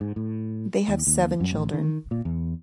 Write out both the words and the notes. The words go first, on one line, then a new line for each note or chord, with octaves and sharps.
They have seven children.
G#2
A2
D#2
D#2
F#2
A1
D#3
A#2
E2